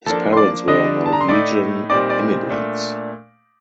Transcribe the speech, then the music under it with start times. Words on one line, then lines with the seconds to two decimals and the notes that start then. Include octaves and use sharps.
His parents were Norwegian immigrants.
0.06 F3 A#3 D4 A4 A5
0.33 C6
0.37 D5 D6
0.68 D3 G3 D4 D#5 D#6
1.06 A5
1.12 A#5
1.21 C6
1.28 A2 A3 D#4 D5 D6
1.89 A#2 G3 C4 D#4 D5 D6
2.09 D5 D6
2.49 A#2 A3 D4